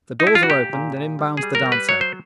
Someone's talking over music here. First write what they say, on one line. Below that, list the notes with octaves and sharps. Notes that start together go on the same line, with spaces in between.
The doors are opened and in bounds the dancer.
D#4
E4
F4
F#4
A#2 G4
A#2
A#2
G3
G#4
G3
A#4
G3
B4
F#3 C#5
C5